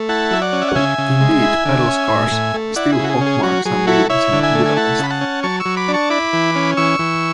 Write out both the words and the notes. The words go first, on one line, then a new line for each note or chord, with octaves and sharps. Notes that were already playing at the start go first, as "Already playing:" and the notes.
Indeed, battle scars still pockmark some buildings in Budapest.
Already playing: A3
E4 F#5 A5
F#3 E5
D5 F#5
C#4
E5
F#5
C#3 E5 G#5
C#3
G#3
E4
D3
C#4
A2
A2
A3
E4 D5 F#5
G#4
C#3 F#4
G#4
C#4
G#4
F#3 F#4
F#3 G#4
E4 F#4 A4
E4 C#5 E5
D3
E5 G#5
A3
G#5
E4 F#5 A5
C#3 B5
F#5 A5
C#4
F#3 A5 C#6
C#6 E6
F#3
B5 D6
D4
A5 C#6
E4 B5 D6
E3
C#4
E3 C#6 E6
E3